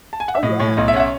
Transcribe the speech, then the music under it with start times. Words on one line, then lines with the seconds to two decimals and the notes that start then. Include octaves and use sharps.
Oh, yeah.
0.13 A5
0.20 G#5
0.28 F#5
0.35 E5
0.43 A2 D#5
0.60 A2 C#5
0.77 B1 D#5
0.88 E5
0.94 C#4 F#5
1.00 E5